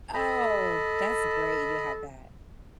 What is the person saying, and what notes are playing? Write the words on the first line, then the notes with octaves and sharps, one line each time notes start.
Oh, that's great you have that.
A4 D#5 B5